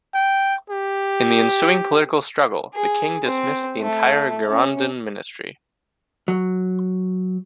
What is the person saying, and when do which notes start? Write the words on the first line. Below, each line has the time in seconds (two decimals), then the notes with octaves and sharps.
In the ensuing political struggle, the king dismissed the entire Girondin ministry.
0.14 G5
0.70 G4
2.74 G#4
3.26 C4
3.81 A3
4.50 C#4
6.28 F#3